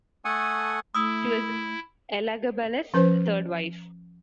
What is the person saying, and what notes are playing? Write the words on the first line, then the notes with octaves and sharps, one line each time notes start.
She was Elagabalus' third wife.
A3 A4 F#5 G#5 C#6 D#6
A3 E4 D#6 E6
F3 C#4 B4 C5